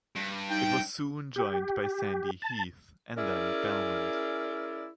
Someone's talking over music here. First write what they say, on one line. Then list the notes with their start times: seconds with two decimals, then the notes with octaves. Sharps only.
It was soon joined by Sandy Heath and then Belmont.
0.16 G2
0.49 D#4 G5
1.36 G4
2.42 A5
3.17 C#4 E4 G#4 A#4 D5